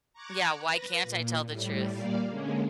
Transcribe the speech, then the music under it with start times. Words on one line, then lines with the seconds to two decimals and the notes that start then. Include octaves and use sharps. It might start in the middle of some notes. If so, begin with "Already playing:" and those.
Yeah, why can't I tell the truth?
0.13 A#5 C#6 D6 F#6 G#6
0.59 B4 A#6
1.03 A#2
1.46 A2 G3
1.91 A#2 G3 A#3 D5 F5
2.29 D3 G#3 A#3 C#4